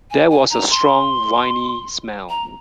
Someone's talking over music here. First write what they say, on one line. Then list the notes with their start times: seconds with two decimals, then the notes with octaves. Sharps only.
There was a strong, winey smell.
0.11 G#5
0.30 G#5
0.50 A#5
0.70 C6
2.29 A#5